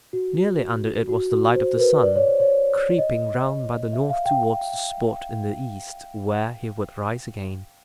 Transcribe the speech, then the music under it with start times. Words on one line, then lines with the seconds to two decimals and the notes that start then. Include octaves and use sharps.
Nearly under it was the light of the sun, creeping round by the north towards the spot in the east where he would rise again.
0.13 F#4
1.09 F#4
1.31 F#4
1.56 C5
1.75 A#4
1.79 B4
2.03 D5
2.16 C#5
2.28 C5
2.40 C#5
2.98 D#5
3.93 E5
4.09 F5
4.25 G5
4.42 G5